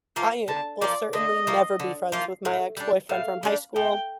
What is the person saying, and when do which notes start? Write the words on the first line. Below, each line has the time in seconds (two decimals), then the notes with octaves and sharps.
I will certainly never be friends with my ex-boyfriend from high school.
0.16 F3 A#3 F4
0.48 D3 A5
0.81 F3 A#3 F4 D5
1.13 D3 D#5
1.47 F3 A#3 F4
1.80 D3
2.12 F3 A#3 F4
2.45 A2
2.77 G3 D4
3.09 A2 F5
3.43 G3 D4
3.76 A2 G5